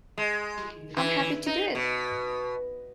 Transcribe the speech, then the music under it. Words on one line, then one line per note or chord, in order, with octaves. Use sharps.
I'm happy to do it.
G#3
E3
D#4
B2